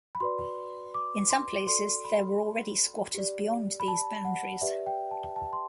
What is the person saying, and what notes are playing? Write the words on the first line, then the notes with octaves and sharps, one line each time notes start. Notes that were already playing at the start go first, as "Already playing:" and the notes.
In some places there were already squatters beyond these boundaries.
B5
F#4 B4 D5 C6
D6
C6
F#4 A4 D5 C6
B5
G4 D5
B5
A5
F#5
G4 B4 D5 E5
G5
A5
A5
C6